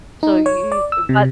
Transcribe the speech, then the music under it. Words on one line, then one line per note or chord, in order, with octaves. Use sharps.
So you uh, what
D#4
C#5
D5
E6
C3